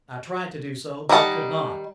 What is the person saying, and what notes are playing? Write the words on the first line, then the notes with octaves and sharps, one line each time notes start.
I tried to do so, but could not.
D#3 G3 D#5 F#5 A5